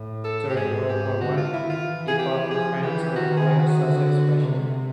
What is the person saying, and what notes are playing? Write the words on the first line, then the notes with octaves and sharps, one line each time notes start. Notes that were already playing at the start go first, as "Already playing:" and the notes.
During World War One he fought in France with the Royal Sussex Regiment.
Already playing: A2
A4
G4
G#2 G#4
G4
D3 F#4
F4
D#3 E4
F4
E3
G#4
G4
F3 G#4
E3 G4
D#3 F#4
G#4
F#4
D3
C3